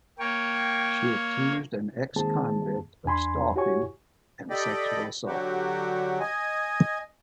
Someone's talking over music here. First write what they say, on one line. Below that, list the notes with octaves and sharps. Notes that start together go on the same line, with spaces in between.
She accused an ex-convict of stalking and sexual assault.
A#3 C#5 G5
D#3 G#3 A#3 C4 G#4 A5
E2 D4 G#5 B5 C6
E4 F#4 G4 C#5 G#5 C#6
G4 A4 D5 D#5 G5 B5
D3 F#3 F#4 G4
D#5 G#5